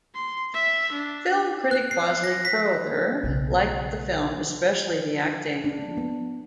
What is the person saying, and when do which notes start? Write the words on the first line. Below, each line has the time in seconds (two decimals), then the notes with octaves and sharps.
Film critic Bosley Crowther liked the film, especially the acting.
0.15 C6
0.54 E5
0.92 D4
1.71 F#6
1.91 C7
2.24 A#6
2.45 B6
3.23 B1 C#3
5.64 D4
5.97 B3